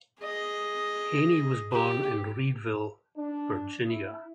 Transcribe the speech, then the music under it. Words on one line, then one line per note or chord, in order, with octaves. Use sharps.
Haynie was born in Reedville, Virginia.
G#4 D#5
G4
D4
E4